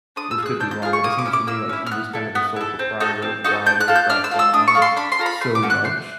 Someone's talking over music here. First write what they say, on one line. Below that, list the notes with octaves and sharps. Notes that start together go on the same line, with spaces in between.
this could be wrong, but it seems to me like he was kinda the sole proprietor of why they cracked down on it so much
D4 D#6
E6
F4
G#4 F#6
D4 G6
G6
F4 G#4 F6
C#6
A#3 D#6
D6
C#4 E4
D6
A#3 E6
C#4 E4
F6
B3 F#6
E4 A4
B3
E4 A4
C4
D#4 F#4 A4
C4
D#4 F#4 A4
D4 G6
F#6
F4 A4
G6
D4 F6
E6
F4 A4
E6
D4 D#6
C#6
F4 A4
C6
D4 B5
C6
F4 A4 A#5
B5
A3 C6
D6
C#4 F#4 A4
F#6
A3 C6